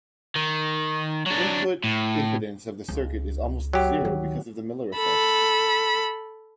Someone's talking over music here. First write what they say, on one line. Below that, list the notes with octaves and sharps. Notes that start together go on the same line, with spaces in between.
The input impedance of the circuit is almost zero because of the Miller effect.
D#3
F#3 D4
A2
C#2
F#3 G4
D2 D#3
A4 B5